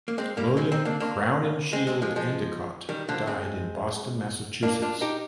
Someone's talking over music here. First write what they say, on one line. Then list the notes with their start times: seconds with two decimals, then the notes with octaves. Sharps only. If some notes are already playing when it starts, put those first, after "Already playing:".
William Crowninshield Endicott died in Boston, Massachusetts.
0.08 A#3
0.18 G#3 C4
0.37 G3 A#3
0.57 G#3 C4
0.72 C4 D#4
0.85 A#3 D4
1.00 A#3 D4
1.73 G#3 C4
1.87 G#3 C4
2.02 F3 G#3
2.16 F3 G#3
2.89 D#3 G3
3.09 D3 F3
3.27 G#3 C4
4.63 A#3 D4
4.82 D4 F4
5.01 D#4 G4